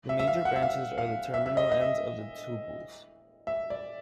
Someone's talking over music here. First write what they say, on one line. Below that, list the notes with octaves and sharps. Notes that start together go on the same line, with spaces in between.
The major branches are the terminal ends of the tubules.
E5
E5
F5
F#5
E5
F5
F5
E5
E5
D#5
D#5
E5
E5
D5